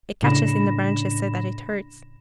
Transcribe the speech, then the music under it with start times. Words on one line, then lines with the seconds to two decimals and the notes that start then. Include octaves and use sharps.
"It catches in the branches so that it hurts."
0.22 A2 C#3 D4 B5 A#6 E7